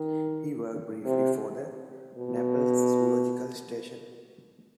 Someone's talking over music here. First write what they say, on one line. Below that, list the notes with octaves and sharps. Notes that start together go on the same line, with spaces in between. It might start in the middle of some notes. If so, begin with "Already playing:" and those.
He worked briefly for the Naples Zoological Station.
Already playing: D#3
C3
B2